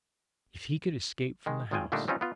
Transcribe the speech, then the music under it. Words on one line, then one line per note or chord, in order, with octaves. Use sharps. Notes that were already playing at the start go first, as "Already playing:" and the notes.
If he could escape from the house!
D#3 G#3
G#1 D#3 G#3 F4 G5 G#5
A#2 D3 G3 A3 D4 D#4
G3 C4 C#4 D#4 F4
B3 F4